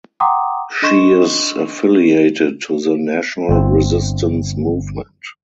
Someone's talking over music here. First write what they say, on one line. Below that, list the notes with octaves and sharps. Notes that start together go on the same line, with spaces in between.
She is affiliated to the National Resistance Movement.
F#5 G5 A#5 C6 D6 D#6
D4 A4 D#5 C6 C#6 E7
G1 C4